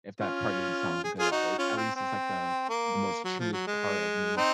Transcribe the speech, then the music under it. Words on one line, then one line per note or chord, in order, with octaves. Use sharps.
if that part doesn't sound good, I, eh, at least it's, like, the the most truest part of me,
C#4 F4
G#4
F4 G#4
D#4 F#4
C#4 F4
C4
C4
A#3
F#3
F3
F#3
G#3
C4 D#4